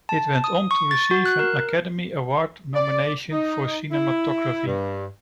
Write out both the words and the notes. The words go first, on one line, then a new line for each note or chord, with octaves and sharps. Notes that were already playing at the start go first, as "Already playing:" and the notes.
It went on to receive an Academy Award nomination for cinematography.
A5
D#6
C#6
A6
F#4
F#6
A#4
D5
D#4
E4
G2